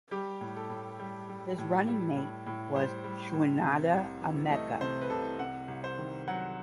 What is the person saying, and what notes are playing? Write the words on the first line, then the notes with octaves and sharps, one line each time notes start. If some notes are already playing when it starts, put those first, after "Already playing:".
His running mate was Chinedu Emeka.
G3 G4
A2
A4
A2
G3
G3
A2
G3
A2
A2
G3 C5
G3
A2
C3
C2
E3
A3 D#5
C3 C5
B4
C2 A4
C3 F#5
C2
C5
D#3
F#3 F#5